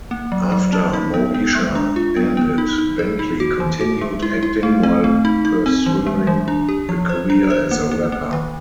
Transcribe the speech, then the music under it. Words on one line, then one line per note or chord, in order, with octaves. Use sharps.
After "Moesha" ended, Bentley continued acting while pursuing a career as a rapper.
A#3
F#3
F#3
C#4
D#4
B3
B3
G#3
D4
F4
B3
B3
D#4
D#4
G#4
D#4
F#4
E3
F#4
G#3
E4
E4
A3
C4
A3
D#4
D#4
C4
E3
G#3
E3
D4
G4
F3
C5
D4
C5
A#3
A#3
A#3
D#3